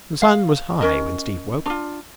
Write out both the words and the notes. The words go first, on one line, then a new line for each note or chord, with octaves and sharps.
The sun was high when Steve woke.
F5
C#4 A#4 D#5
D4 F4